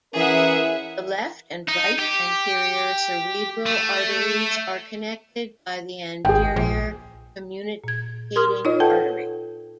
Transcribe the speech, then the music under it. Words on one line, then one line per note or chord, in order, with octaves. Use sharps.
The left and right anterior cerebral arteries are connected by the anterior communicating artery.
E3 C#4 G#4 A#4 E5 F#5
D#4
G4
A3
G#1 G#4 G5
A#1
A#2 G#6
A#4 C6 D#6 F6
D#4 F4 C#5 D#5
A4 B4 F#5 G5 A5 G6